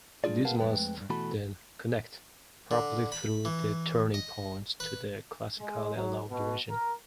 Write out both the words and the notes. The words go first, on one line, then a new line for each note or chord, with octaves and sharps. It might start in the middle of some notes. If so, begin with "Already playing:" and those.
These must then "connect" properly through the turning points to the classically allowed region.
G3 D4 F4 G#4 D5
G#4 A#4 B4 F5 F#5 A5
F2 F3 G#3 A3 B4 G5
E2 G2
B2 E3 A3 F#4 A4 B5
D3
B5
E3
D#5
B4
G#3
F#3
B2
A#4